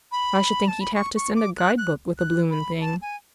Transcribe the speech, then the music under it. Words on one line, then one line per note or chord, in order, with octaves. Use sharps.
"I should think he'd have to send a guidebook with the bloomin' thing."
B5
A5
B5
C#6
C#6
D6
F#6
F#6
F#6
B5
A5
G#5